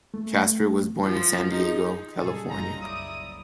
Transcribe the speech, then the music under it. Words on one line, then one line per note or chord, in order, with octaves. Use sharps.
Casper was born in San Diego, California.
A3
F3
D#4 G#4
A#2 C#3 G3 G#4 A4
F#1 D#4 F4 A#5
F#1 C2 E4 D5 D#6